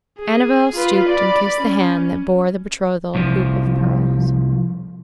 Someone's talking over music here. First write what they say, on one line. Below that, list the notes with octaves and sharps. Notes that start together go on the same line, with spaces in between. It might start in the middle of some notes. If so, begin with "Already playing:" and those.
Annabel stooped and kissed the hand that bore the betrothal hoop of pearls.
G#4
F4 B4
D5 B5
C#4
C2 F3